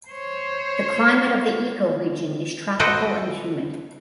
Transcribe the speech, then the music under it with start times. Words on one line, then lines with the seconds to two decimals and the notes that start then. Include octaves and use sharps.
The climate of the ecoregion is tropical and humid.
0.10 C5 C#5
2.79 F#4 A4 B4 C5 D#5 G5